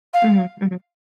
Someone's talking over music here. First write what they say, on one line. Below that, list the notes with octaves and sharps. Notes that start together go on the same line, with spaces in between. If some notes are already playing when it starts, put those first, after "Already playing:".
Mhm, mhm.
F5